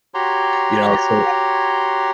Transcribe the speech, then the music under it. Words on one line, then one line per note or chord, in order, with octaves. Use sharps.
you know? So
F#4 G4 C#5 A#5 C6